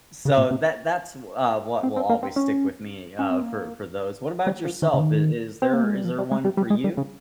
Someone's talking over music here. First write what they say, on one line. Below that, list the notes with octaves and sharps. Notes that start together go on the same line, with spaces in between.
so that that's wh uh, what will always stick with me, uh, for for those. What about yourself? Is is there is there one for you?
C#3
A#2
C3
C4
C4
A#3
C4
C#4
C#4
C4
A#3
G3
F3
D#3
C#3
D#3
C4
A#3
G#3
G3
F3
G3
G#3
G3
G3
G#3
G3
C#3